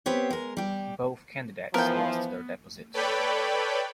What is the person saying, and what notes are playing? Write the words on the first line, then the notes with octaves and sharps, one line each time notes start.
Both candidates lost their deposit.
B3 C4 G4 C#5
G#3 A#4
G3 G4
E3 F3 B3 A#4 G5
A4 B4 C#5 D5 G5 B5